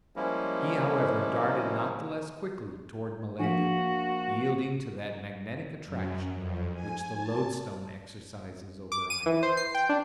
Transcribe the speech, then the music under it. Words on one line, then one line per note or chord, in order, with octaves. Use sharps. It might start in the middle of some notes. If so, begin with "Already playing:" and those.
He, however, darted not the less quickly toward Milady, yielding to that magnetic attraction which the loadstone exercises over iron.
F3 G3 G#3 A#3 C#4 E4
F3 A#3 D4 F#4 F5
F#2
F2
G#5
A5
D6
D#7
E3
C5
C7
G5
D4